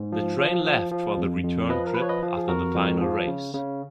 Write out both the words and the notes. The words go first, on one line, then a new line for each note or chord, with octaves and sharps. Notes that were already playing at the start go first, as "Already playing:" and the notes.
The train left for the return trip after the final race.
Already playing: G#2
F3
F3
F3
F3
F2
F2
F3 B4 D#5
A#4
F3 B4
C#5
B4 D#5
F3
G#4
F2 F#4 A#4
F2
F3
C#3
C#3